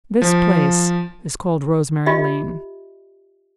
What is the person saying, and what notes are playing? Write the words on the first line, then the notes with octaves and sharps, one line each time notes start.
This place is called Rosemary Lane.
F3
F4 G4 D#5 E5